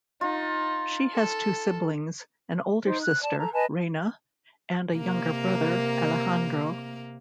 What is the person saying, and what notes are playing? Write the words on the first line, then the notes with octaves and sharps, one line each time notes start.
She has two siblings; an older sister, Reyna, and a younger brother, Alejandro.
D#4 F4
A4
D#4 C5
F#6
D5 A5
A4 A#5
B4 D#5 G#5 A5
C3 A#3 A#4